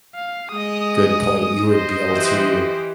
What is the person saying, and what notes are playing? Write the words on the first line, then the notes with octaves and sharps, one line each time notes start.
good point, you would be able to
F5
G#3 D#5 D#6
C5 D#5
E3 G4